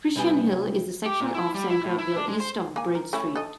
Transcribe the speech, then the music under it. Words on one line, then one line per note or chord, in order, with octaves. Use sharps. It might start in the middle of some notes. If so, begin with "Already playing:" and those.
Christian Hill is the section of Centralville east of Bridge Street.
C3 G3 B3 G#5
G4
A#2
E4
G3
E4
A2
E4
D4
G#3
C5
A#3 G#5
A#4
A3 C#4 E4
A4 D#5